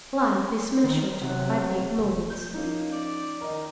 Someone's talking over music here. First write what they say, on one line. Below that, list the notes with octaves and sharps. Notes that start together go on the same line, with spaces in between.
Life is measured by big moments.
D#3
C3 F#3
E1
G6
F3 A#3 C#4 D#4
D5
D#3 A#4 D#5